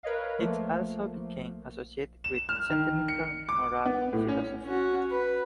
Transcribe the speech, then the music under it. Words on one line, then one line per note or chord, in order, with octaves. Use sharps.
It also became associated with sentimental moral philosophy.
A#4 B4 C#5 D#5 F5
F3 A3 A#3
E7
F6
D#3
C#7
D6
B3
A2
C#4
C#4 F#4
B4